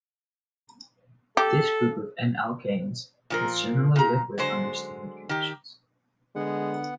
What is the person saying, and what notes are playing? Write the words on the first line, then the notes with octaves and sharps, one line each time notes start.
This group of n-alkanes is generally liquid under standard conditions.
G4 A4
A#2 F3 A#4
A#2 A#5
D3 F#3 G#3 C5
D#3 G4
D3 G#3 B3 F#5